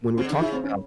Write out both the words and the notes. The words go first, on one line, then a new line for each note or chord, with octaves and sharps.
when we're talking about
C#3 C4
D3
C#3 D4
E4
C4
C#4